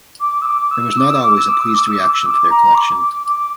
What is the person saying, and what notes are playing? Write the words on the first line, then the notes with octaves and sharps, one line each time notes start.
There was not always a pleased reaction to their collection.
D6
E6
D6
E6
D6
E6
D6
E6
D6
E6
D6
E6
D6
E6
D6
A#5
D6
D6
D6